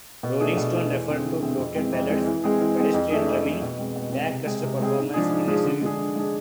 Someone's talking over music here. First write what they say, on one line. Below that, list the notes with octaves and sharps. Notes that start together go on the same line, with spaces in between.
"Rolling Stone" referred to "bloated ballads," "pedestrian drumming" and "lackluster performances" in its review.
B2
A3 D4 G#4
B2
A3 D4 G#4
E2
D3 A3 C4 G#4
E2
D3 A3 C4 G#4
F2
E3 G#3 C4
F2
E3 G#3 C4
E3
G#3 C4 G#4
E3
G#3 C4 G#4
F2
E3 A3 D4 G#4
F2
E3 A3 D4 G#4
B2
G#3 C4
B2
G#3 C4
C3
G#3 C4 G#4
C3
G#3 C4 G#4
G#2
F3 G#3 D4 G#4
G#2
F3 G#3 D4 G#4
D3
G#3 D4 G#4
D3
G#3 D4 G#4